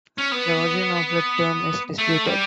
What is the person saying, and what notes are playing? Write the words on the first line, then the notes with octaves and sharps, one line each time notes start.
The origin of the term is disputed.
C#4
B3
A3
G3